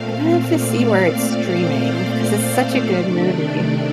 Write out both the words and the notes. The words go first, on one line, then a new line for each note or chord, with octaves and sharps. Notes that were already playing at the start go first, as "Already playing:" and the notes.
I'm gonna have to see where it's streaming, 'cause it's such a good movie.
Already playing: A#2 A3 C4 F5
D5
C5
D5
D5
C3 D#3 A3 D4